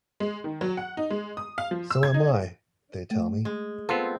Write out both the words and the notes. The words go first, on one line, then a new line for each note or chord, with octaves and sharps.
So am I, they tell me.
G#3
D#3
F#3
F#5
D#4
G#3
D#6
F5
F3
E6
G#6
D#4
A3
G#3
B3 C4 F4 A4